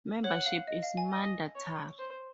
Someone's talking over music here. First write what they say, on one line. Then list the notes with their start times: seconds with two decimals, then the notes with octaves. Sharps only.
Membership is mandatory.
0.24 C#5 F#5
0.46 F5
0.67 D#5
0.83 F5
0.97 G#5
1.12 D#5
1.55 C#5
1.99 C5